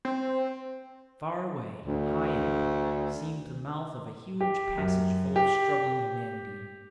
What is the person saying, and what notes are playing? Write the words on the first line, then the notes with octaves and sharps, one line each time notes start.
Far away, high up, seemed the mouth of a huge passage full of struggling humanity.
C4
D2
G4
F#2
G4